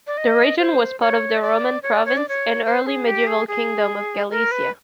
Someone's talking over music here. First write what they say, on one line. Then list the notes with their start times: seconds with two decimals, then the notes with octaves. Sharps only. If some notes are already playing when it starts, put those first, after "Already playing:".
The region was part of the Roman Province and early medieval Kingdom of Gallaecia.
0.07 D5
0.18 D#5
0.59 C5
1.00 C#5
1.37 D#5
1.42 D5
1.83 C#5
1.94 D5
2.06 C#5
2.17 D5
2.29 C#5
2.66 C5
2.86 G#4
3.06 G4
3.27 G#4
3.48 G#4
4.30 A#4
4.51 B4